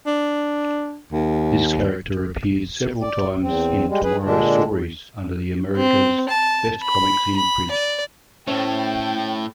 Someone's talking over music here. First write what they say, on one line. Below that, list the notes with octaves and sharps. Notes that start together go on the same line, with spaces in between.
This character appeared several times in "Tomorrow Stories" under the America's Best Comics imprint.
D4
D#2
D5
E2 C4
G3 G#3
G#4 B4
A#2 D3 G#3 D4
C4
A5
B5
B5
D5
A2 A3 C#4 A4 C5 C#5 G5